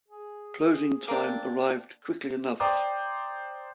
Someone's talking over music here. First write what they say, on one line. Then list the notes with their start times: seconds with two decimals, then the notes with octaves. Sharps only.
Closing time arrived quickly enough.
0.08 G#4
1.08 A#3 C4 D4
2.60 C5 D5 G5 A#5 D6 D#6